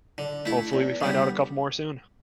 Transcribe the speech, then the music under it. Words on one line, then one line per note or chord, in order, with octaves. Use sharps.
hopefully, we find out a couple more soon.
D3
A3 E4
E2
D3 G3 B3